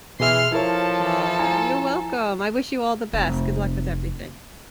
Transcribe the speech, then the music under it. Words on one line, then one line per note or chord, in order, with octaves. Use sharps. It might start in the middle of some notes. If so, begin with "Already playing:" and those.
Aw, you're welcome, I wish you all the best, good luck with everything.
B2 E3 G#4 E5 C6 F6
F3 E4 A4 A#4 C#5
E4 G#5 A#5
F1 C4